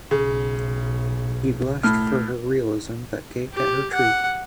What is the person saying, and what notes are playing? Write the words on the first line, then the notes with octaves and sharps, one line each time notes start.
He blushed for her realism, but gaped at her truth.
B1 C#3
A2 F6
G4
F#5